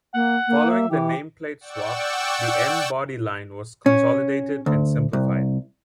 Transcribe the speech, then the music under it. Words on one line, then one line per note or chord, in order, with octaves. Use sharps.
Following the nameplate swap, the M-body line was consolidated and simplified.
A#3 F#5
A#3
E5
E3 G4
D5 F#5 G5 C#6 E6
C#4
D2
C2